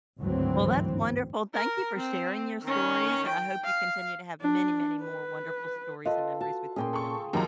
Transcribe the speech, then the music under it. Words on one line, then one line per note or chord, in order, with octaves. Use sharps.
Well, that's wonderful, thank you for sharing your stories, and I hope you continue to have many, many more wonderful stories and memories with your family.
G#1 D2 G2 E3 F#3 C4
A#4
C4
D#3 C#4
G5
F5
D4
B4
F4 A4 B4 D5 D#5
F#4 A5
A#2 C#4 G#4 G5 C6
A4 C#6
D#2 F3 F#3 D#4 G4 A#4 A#5